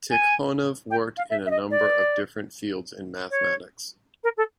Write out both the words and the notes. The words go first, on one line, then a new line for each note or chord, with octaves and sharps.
Tikhonov worked in a number of different fields in mathematics.
G#5
G5
F5
E5
E5
D#5
D5
C#5
A#4
A4